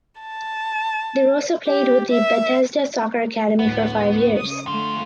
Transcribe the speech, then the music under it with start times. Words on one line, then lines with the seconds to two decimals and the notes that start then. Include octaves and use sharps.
Di Rosa played with the Bethesda Soccer academy for five years.
0.21 A5
1.67 G4
2.11 E5
3.59 D2 A2 B3
4.37 C#3 D#6
4.66 F2 D3 A3 F4